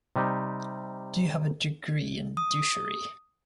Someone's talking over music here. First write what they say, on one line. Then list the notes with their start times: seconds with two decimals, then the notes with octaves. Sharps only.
Do you have a degree in douchery?
0.16 C3 G3 D#4 G4
2.37 D#6